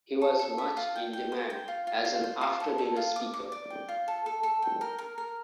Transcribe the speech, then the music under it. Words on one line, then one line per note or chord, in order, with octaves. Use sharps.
He was much in demand as an after-dinner speaker.
A4
A4
E5
F4
G5
G5
C5
G5
F4
F4
F4
C5
F4
A4
A4
F4
D6
D6
D5
G5
F4
A4
A4
A4
G5
A#4
A#4
A#4